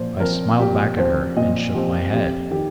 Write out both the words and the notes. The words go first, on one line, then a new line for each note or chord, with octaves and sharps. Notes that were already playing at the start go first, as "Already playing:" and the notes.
I smiled back at her, and shook my head.
Already playing: A#2 F3 C5
F3 C4 A#4
A#2 G4
F3 C4 C5
A#2 D#5
F3 C4 G4
F2 G4
D#3 G4